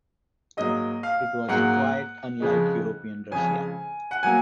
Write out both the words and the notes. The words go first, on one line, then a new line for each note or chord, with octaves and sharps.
It was quite unlike European Russia.
G#2 F#3 A#3 D#5
F5
G#2 F#3 A#3 F#5
F2 C#3 G#3
F2 C#3 G#3 G#5
F#5
F#3 A#3 G#5